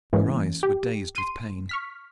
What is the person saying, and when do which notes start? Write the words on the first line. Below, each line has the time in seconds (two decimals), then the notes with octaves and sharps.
Her eyes were dazed with pain.
0.13 G#2 E3 G#3 A#3 C#4
0.63 G4
1.16 C6 D#7
1.69 C#6 F6 B6